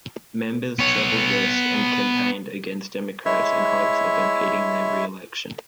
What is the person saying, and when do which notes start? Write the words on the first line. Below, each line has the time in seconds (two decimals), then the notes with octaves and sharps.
Members traveled west and campaigned against Democrats in hopes of impeding their reelection.
0.79 B3 C#5
3.26 G#3 E4 C#5 E5